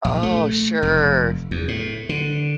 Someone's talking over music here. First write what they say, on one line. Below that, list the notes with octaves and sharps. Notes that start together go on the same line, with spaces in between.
Oh, sure.
A#1
A3
F1
E2
A2
D3